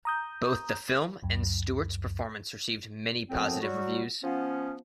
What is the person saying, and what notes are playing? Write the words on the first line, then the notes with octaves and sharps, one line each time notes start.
Both the film and Stewart's performance received many positive reviews.
A#5 D#6 G6
C#2 F#2
F#2 A2 F3 B3 C4
F#3 G3 F#4
F3 B3 C#4